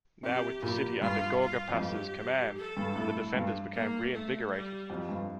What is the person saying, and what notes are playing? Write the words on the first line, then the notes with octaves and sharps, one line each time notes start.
Now with the city under Gorgopas' command the defenders became reinvigorated.
C3 G4
A#2 G4
G2 F4
F4
F2
G2 G4
A4
G2
A2
G2
A#3
A3
G3
F2
G2